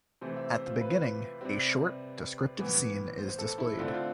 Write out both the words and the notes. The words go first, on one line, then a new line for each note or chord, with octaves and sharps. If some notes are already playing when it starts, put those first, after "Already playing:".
At the beginning, a short descriptive scene is displayed.
C3 E3 A3 C4 C5
E5
C5
F4
B4
C3 G3 C4
A2 E3 B3
C5
A4
E4
D3 A3 C4 F4
F4